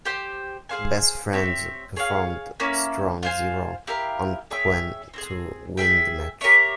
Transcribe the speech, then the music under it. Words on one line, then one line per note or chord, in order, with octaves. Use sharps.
Best Friends performed "Strong Zero" on Quen to win the match.
G4 C5 G5
G#4 C5 F5 G#5
C4 G4 C#5 E5
G#4 C#5 F5 G#5
A#3 C#4 E4
F4 C5 F5 G#5
E4 G4 A#4 F5
G#4 C#5 E5 G5
C4 E4 G#4
G#4 E5 G5
G4 A#4 C#5 E5